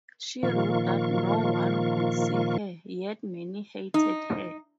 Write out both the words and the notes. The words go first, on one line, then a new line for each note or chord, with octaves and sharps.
She wrote that no one could see her, yet many hated her.
A#2 D#3 F3 A#3 F4 C#6
D#4